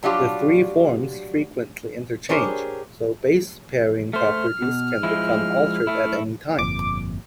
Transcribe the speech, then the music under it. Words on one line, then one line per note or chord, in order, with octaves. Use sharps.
The three forms frequently interchange so base-pairing properties can become altered at any time.
F#3 G3 D4 F4 G4
D4 G4 G#4 A#4 C5 C#5
A3 C5 F6
B2
F3 G#3 E4
A3 E4
G1 F2 A#2 D6